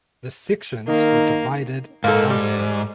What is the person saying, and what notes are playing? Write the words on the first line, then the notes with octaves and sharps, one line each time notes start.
The sections were divided among them.
D#3 A#3
G#2 A#3 A4
G3